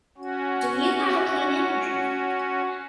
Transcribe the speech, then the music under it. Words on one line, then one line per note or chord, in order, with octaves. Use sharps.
Do you have a clean handkerchief?
C#4 F#4